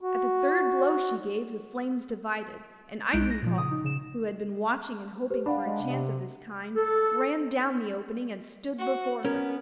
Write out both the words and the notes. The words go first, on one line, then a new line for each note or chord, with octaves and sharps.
At the third blow she gave the flames divided, and Eisenkopf, who had been watching and hoping for a chance of this kind, ran down the opening and stood before her.
F#4
B1 G#3 D#4 F#6 G6 D7
A#6
A#2 F3
C#3 D#6
D#4
C#3 E7
G4 B4 C5
D4 F5 F#5 B5
G#3
C3
A4
F#4
B3 C#4 A#4